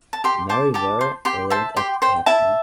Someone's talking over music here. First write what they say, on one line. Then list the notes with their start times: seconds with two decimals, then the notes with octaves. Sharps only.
Mary Vere lived at Hackney.
0.13 A5
0.24 G4 G5 C6
0.49 C5 A5 D6
0.74 G4 A5 D6
1.01 C5
1.25 G4 G5 C6
1.50 C5 E5 A5
1.76 G4 G5 C6
2.02 C5 G5
2.26 E4 E5 A5